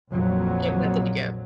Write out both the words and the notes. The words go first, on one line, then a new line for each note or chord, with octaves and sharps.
You have nothing to give.
A#1 F2 A#2 F#3